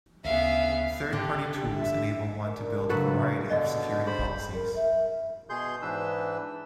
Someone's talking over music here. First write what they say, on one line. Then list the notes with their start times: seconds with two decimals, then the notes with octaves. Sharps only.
Third-party tools enable one to build a variety of security policies.
0.25 D2 C#3 B3 G#4 E5 F5
1.13 D3 G4 A4
1.74 E5
2.46 D4 A#4
2.89 C#3 F#3 A4 B4
3.50 B2 D3 D5 D#5 F5
4.07 G#4 C5 B5
4.54 A#4
4.76 E5
5.50 B2 G#4 C6 G6
5.82 G#2 E3 D4 B4 E6